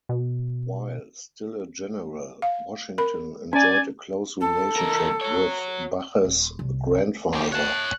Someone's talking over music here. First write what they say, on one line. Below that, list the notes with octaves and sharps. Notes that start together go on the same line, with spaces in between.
While still a general, Washington enjoyed a close relationship with Bache's grandfather.
B2
F5
A#4 B5
C#4 D5 G#5
A4
E3 A#4
F#4 C#5
D#1
C2
F#3 G4
C#5 A5 F#6